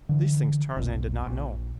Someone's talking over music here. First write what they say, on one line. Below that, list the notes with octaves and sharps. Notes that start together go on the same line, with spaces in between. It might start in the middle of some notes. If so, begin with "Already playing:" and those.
These things Tarzan did not know.
D3 E3
F1 B1
A#1